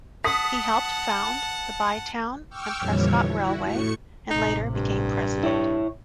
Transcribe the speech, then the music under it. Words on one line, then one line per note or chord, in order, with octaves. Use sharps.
He helped found the Bytown and Prescott Railway and later became president.
F#5 A5 D#6 B6
G5 C#6 D6 E6 F6
F2 A#2 D3 E3 G3 C#5
E4 F#4
A2 A3 C#6 C#7
A1 C3 D#4
G2
E4 C#5